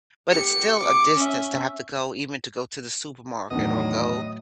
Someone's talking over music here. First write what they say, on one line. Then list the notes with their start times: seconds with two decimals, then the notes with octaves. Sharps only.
but it's still a distance to have to go even to go to the supermarket or go
0.29 G4 C#7
0.78 D6 C#7
1.16 C#4 E5
3.50 E2 A2 D#3 F#3 D4 D#5